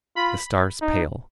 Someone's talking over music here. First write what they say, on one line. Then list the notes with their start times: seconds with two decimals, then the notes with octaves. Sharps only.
The stars pale.
0.16 F4 B5
0.82 D#4